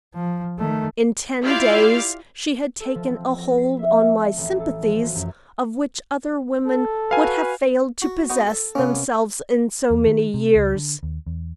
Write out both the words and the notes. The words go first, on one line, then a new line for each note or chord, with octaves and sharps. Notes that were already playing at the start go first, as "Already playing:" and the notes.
In ten days she had taken a hold on my sympathies of which other women would have failed to possess themselves in so many years.
F3
D#3 A3
E4 F4 G4 D5 E5 F5
A4
F3
C4
A#6
C7
E5
A3
A1
A4
F3
F#4
F#2
A4
F#4 B4 F5 G#5
F#4
B3 D#4 F#4
A4 A5
C3 A#3 B3 C#4
E2
D#3
C3
C#2
D3
D#2
E2